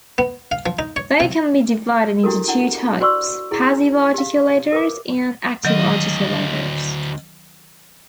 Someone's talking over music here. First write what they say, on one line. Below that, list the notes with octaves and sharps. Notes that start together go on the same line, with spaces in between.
They can be divided into two types: passive articulators and active articulators.
B3
F5
F3
D#4
C#5
C3
D4 E4 F#4 G4 A4 A#4
D4 E4 F#5
F#4 C5 D5 C6 C#6 E6
E4 G#4
G4 F5
A#4 B4 D6
D2 D#3 F#3 D#5